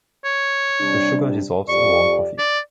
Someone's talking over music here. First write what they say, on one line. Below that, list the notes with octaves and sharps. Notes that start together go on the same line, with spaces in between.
The sugar dissolves in warm coffee.
C#5
C3 G3 D4
F2 G4 D5 C#6
D5